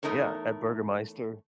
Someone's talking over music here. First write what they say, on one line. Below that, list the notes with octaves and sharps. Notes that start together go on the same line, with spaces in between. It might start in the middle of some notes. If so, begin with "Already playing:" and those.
yeah, a Bürgermeister.
E2 E3 A3 D#4 A#4 C#5